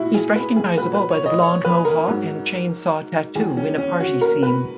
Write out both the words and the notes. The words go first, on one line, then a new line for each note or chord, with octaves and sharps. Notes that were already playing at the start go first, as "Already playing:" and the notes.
He's recognizable by the blonde mohawk and chainsaw tattoo in a party scene.
Already playing: A#2 E4 F#4
G#4
B4
G#4
A#2 F#3 B4
B4
C#5
D#5
C#5
B4
A#4
G#2 F#3
E2 D#3 F#3 G#4
C#4
C#4
F#4
A#4
B4